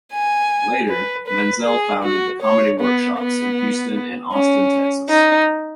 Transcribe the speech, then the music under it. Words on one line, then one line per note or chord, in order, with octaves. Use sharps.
Later, Menzel founded the Comedy Workshops in Houston and Austin, Texas.
G#5
B4
B4
G#4
F#4
C#5
B3
B3
C#4
D#4